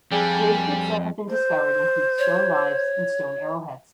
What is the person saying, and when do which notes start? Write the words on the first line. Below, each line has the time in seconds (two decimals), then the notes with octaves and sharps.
Grave goods that have been discovered include stone knives and stone arrowheads.
0.12 F2 G3 G#4 D5 G5 G#5
1.30 C5
2.19 C#5